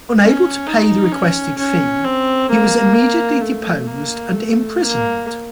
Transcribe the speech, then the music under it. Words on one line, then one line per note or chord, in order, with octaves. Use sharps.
Unable to pay the requested fee, he was immediately deposed and imprisoned.
C#4
D#4
C#4
C#4
C4
A#3
A3
A#3
A3
A#3